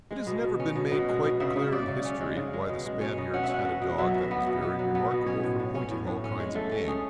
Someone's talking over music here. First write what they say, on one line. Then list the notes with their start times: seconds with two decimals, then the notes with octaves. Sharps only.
It has never been made quite clear in history why the Spaniards had a dog that was very remarkable for pointing all kinds of game.
0.11 G#3
0.27 B2
0.44 B2
0.60 C#4
0.76 B2
0.92 B2
1.08 G#3
1.24 B2
1.40 C#3 E5
1.56 C#3
1.72 C#3 D5
1.88 C#3
2.05 C#4
2.21 G#3
2.37 C#3
2.53 G#3
2.69 B2
2.85 G#3
3.01 C#4
3.18 B2
3.34 C#4 F#5
3.43 E5
3.49 C#4 F#5
3.66 B2
3.82 B2
3.98 F#3 E5
4.15 B2
4.31 B3
4.47 B2
4.62 B3
4.79 F#3
4.95 B3
5.11 B2
5.26 C#4 C#5
5.43 A2
5.60 A2
5.75 C#4
5.91 A2
6.07 A2
6.24 C#4
6.40 G#3
6.55 A3 A4
6.72 C#4
6.88 C#4 G#4